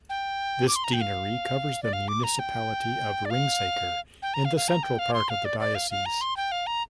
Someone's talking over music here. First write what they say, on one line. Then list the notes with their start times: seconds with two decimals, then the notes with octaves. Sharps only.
This deanery covers the municipality of Ringsaker in the central part of the diocese.
0.09 G5
0.68 D6
0.76 C6
0.84 A#5
0.93 G5
1.01 F5
1.83 D5
1.93 F5
2.08 D6
2.24 A#5
2.39 G5
3.25 D5
3.30 F5
4.22 G5
4.34 A#5
4.45 F5
4.57 F5
4.68 A#5
4.83 G5
4.99 F5
5.14 C6
5.29 F5
5.45 D5
5.60 D5
5.75 F5
5.91 F5
6.06 A#5
6.21 C6
6.37 G5
6.52 F5
6.67 A#5